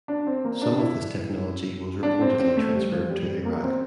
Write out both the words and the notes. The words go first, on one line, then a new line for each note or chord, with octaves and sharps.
Some of this technology was reportedly transferred to Iraq.
D4
C4
A#3
D4
E4
D4
C4
C4
A3
G3
F3
G3
G3
A#3
C4